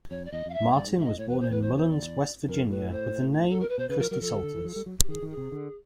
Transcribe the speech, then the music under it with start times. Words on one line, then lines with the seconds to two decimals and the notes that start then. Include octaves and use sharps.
Martin was born in Mullens, West Virginia with the name Christy Salters.
0.10 F2 C#5
0.25 D5
0.31 E2 D#5
0.46 F2 F5
0.53 E5
0.61 G2
0.72 C#5
0.75 G2 D5
0.86 G#2
0.97 G#2 E5
1.04 A2 D#5
1.18 A2 C#5
1.29 E2 B4
1.40 C5
1.50 E2 B4
1.62 C5
1.76 C5
1.90 D5
2.48 F2 A#4
2.70 A2 B4
2.91 C5
3.50 A4
3.60 A#4
3.69 B4
3.78 B2 C5
3.89 C#3 B4
3.99 F3 A#4
4.10 F#3 A#4
4.21 F3 A4
4.32 D3
4.43 D3
4.54 E3
4.65 F3
4.76 G3
4.86 F#3
5.03 G4
5.08 D#3 G#4
5.23 D#3
5.30 G#4
5.37 C3
5.52 D3